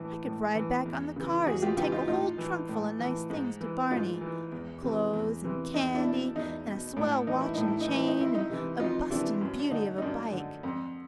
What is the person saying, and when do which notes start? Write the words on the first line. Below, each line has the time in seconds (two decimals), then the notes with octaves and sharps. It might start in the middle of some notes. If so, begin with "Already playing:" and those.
I could ride back on the cars and take a whole trunk full of nice things to Barney,--clothes, and candy, and a swell watch and chain, and a bustin' beauty of a bike.
Already playing: A2 E3
0.25 A2
0.55 E3
0.85 E2
1.16 C#3 E3
1.46 E2 F#4 G#4
1.62 F4 G4
1.77 C#3 E3 F4 G4
1.92 D#4 F4
2.08 A2 D#4 F4
2.38 E3
2.69 A2
2.99 E3
3.30 G#2
3.61 E3
3.91 G#2 D#4 F4
4.21 E3
4.52 E2
4.83 C3 E3
5.13 E2
5.44 C3 E3
5.74 E2 D#4
5.94 D4 E4
6.05 B2
6.36 E2 D#4
6.66 B2
6.97 A2 D4
7.27 E3 D#4
7.41 E4
7.54 A2 D#4
7.68 E4
7.81 D#4
7.88 E3
7.94 E4
8.07 D#4
8.19 F2 E4
8.35 D#4
8.50 C3 E3
8.80 F2 D#4 F4
9.10 C3 E3 D4 E4
9.41 F#2
9.59 D4
9.72 D3 D#4
9.98 D#4
10.02 F#2 D4
10.33 D3
10.63 F2